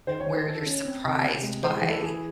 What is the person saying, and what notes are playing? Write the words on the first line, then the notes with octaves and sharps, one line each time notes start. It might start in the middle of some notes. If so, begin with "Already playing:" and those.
where you're surprised by,
D#3 C5
C#5
D#3
C5
D#3 A4
C#4
C4
C3
C3
G#3
E3 C5
G#4
E3
A4
E3 G#4